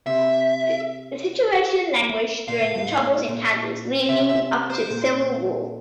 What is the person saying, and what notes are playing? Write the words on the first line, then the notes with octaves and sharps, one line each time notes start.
The situation languished during the troubles in Kansas leading up to the Civil War.
C3 E5
A#2 F5
A2
G2
A2
A#2
C3 E5
E5
C5
A#2